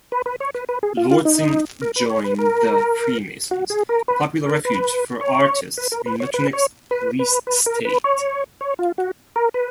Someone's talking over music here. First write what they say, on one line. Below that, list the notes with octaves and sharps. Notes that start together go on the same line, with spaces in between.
Lortzing joined the Freemasons, a popular refuge for artists in Metternich's police state.
B4
B4
C#5
B4
B4
G#4
F4
F4
D#4
A#4
B4
C#5
B4
A#4
F#4
G#4
A#4
B4
A#4
B4
C#5
B4
A#4
B4
C#5
B4
C#5
B4
B4
B4
A#4
B4
C#5
C#5
F4
F#4
A#4
B4